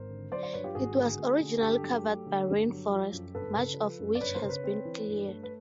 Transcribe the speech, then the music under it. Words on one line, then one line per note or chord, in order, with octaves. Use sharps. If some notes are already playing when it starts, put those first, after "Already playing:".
It was originally covered by rainforest, much of which has been cleared.
Already playing: G#1 A#4 C5
D3
F#3 C5 D5
C5 D5
G2 B4 C#5
F4 G4
G#1 F#4 G#4
D3
A3
D3
G2 G4 A4
F#3
A3
D3
G2
F#3
F3
F#2
G1 A4 B4
C#3
F3
F#2
D5
G1 B4 C#5
A#4 C5
C#3
B4 C#5
C4
E3
G2
A3
B4